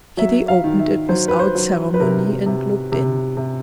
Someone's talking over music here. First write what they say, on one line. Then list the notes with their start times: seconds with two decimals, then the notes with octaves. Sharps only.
Kitty opened it without ceremony and looked in.
0.17 F#3 E5
0.48 F5
0.64 D#3
0.79 E5
1.09 F#3 C5
1.28 B4
1.39 C5
1.55 F#3
1.94 B4
2.00 C3 A#4
2.46 C3
2.92 C3
3.37 C3